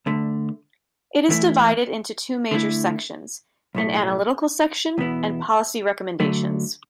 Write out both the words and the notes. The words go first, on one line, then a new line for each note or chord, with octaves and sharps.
It is divided into two major sections: an analytical section and policy recommendations.
D2 D3 A3
E2 E3 A3 E4
D3 A3 E4
B1 A2 A3
E2 B2 B3 E4
D2 D3 F#3 A3